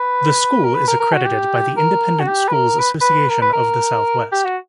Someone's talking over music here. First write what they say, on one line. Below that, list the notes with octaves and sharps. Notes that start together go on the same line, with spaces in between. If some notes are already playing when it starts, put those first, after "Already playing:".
The school is accredited by the Independent Schools Association of the Southwest.
Already playing: B4
A#4
B4
A#4
A#4
F#4
G4
A#4
F#4
G4
B4
A#4
B4
B4
A#4
B4
A#4
G4
F#4